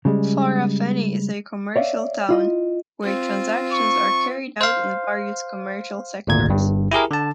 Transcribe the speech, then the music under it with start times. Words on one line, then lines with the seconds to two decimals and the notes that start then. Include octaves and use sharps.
Farafenni is a commercial town, were transactions are carried out in various commercial sectors.
0.05 C#3 G3 G#3
1.76 C#5 D5 E5 F5
2.29 E4 F4 D#5
3.02 C4 F4
3.73 C#6
4.61 C5 F5
6.27 G#1 D2 A#2 G#6
6.49 G1 G2
6.91 E4 G4 G#4 A#4
7.11 D3 A5